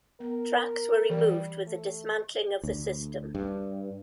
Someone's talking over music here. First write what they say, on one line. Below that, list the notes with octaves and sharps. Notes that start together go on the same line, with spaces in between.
Tracks were removed with the dismantling of the system.
B3 A#4
E3 G3
A3
D2
G2